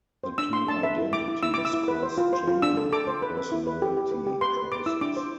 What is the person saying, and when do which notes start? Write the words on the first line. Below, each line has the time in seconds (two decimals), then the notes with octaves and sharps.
The two identities cause Jano a personality crisis.
0.24 C5
0.38 D4 E6
0.53 D4 C6
0.68 D4 A5
0.83 B4 E5
0.98 E4
1.13 E4 D6
1.28 E4
1.43 E4 E6
1.54 B4 D6
1.65 E6
1.73 E4
1.88 B4
2.03 C5
2.18 F4
2.33 C5
2.48 F4
2.62 D4 E6
2.77 A4
2.92 A4 D6
3.07 C5
3.22 B4
3.37 B4
3.52 E4
3.67 B4
3.82 G4
3.97 G4
4.12 B4
4.27 G4
4.41 B4 C6
4.57 B4
4.72 B4 D6
4.86 E4 E6
5.01 D4 D6
5.17 C5